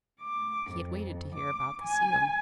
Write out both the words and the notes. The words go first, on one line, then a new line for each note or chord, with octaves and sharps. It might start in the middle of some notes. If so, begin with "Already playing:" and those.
He had waited to hear about the seal.
D6
F2
D6
G#5